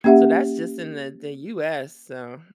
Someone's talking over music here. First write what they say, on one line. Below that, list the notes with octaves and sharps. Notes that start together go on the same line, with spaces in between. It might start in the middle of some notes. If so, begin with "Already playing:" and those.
so that's just in the the US, so
A#3 C#4 G4 E5 F#5